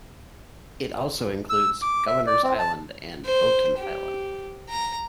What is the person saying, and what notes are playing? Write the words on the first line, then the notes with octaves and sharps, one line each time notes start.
It also includes Governors Island and Boughton Island.
E6
D6
E5
D5
C4
A5
C5
G4
A#5